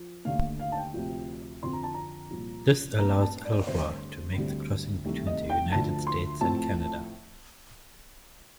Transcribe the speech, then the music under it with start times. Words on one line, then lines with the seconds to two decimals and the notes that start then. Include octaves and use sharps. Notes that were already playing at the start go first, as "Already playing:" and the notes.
This allows "Elwha" to make the crossing between the United States and Canada.
Already playing: F3
0.25 D#2 D3 A3 F5
0.59 F5
0.72 A5
0.77 G5
0.94 D2 C3 F3
1.62 F2 D3 F3 C4 C6
1.73 A#5
1.83 A5
1.94 A#5
2.30 C2 A#2 F3
2.99 A#2 A3 C4 A#5
3.22 A5
3.45 D5
3.67 G2 D3 A3 C4 C5
4.36 D2 D3 G3 C4
5.04 C2 C3 D#3 A3
5.27 D#5
5.50 G5
5.72 D2 D3 F3 A5
6.07 C6
6.41 A2 F3 A3 C4 A5